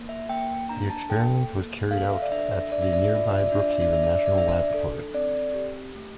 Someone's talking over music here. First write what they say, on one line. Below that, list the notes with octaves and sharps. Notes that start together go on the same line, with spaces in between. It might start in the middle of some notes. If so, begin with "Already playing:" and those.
The experiment was carried out at the nearby Brookhaven National Laboratory.
Already playing: A#3
E5
A#3 G5
D4 A#5
A5
A4 G5
A#3
A4 F5
E5
D5
D4 E5
E5
A4 D5
E5
D5
E5
F4 D5
E5
D5
D4 E5
D5
E5
D5
D4 E5
D5
E5
D5
D4 E5
D5
A4
C4 D5
G4
A3